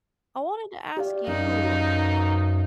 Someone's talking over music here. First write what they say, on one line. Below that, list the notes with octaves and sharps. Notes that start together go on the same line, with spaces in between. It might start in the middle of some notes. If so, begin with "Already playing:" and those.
I wanted to ask you,
G4 D5 F5
F#2 D#4 F5